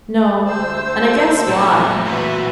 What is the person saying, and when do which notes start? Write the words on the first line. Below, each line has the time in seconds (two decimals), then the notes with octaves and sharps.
'No; and I guess why.
0.47 D2 C5 A5 E6
1.48 A#2 F#3 A3
2.06 E3 F#4 B4 C5 E5